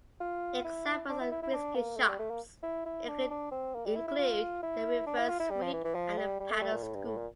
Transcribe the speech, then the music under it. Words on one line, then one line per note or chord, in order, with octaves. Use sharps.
Examples of risky shots include the reverse sweep and the paddle-scoop.
F4
E4
D4
E4
E4
E4
D4
A#3
A3
G3
A3
A#3
E4
E4
D4
D4
C4
A#3
G3
E4
E4
F4
E4
D4
E4
F4
E4
G3
F3
E3
E3
F3
G3
G3
A3
G3
A#2
A2
G2
A2
A#2